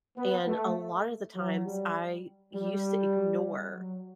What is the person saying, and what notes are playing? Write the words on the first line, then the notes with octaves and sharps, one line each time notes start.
and a lotta the times, I used to ignore
B3
A3
F#3
G3
G3
F#3